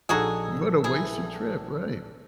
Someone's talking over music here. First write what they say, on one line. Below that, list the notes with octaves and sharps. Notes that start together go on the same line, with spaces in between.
What a wasted trip, right.
A#1 D#4 F#4 G#4 A4
E3 G#4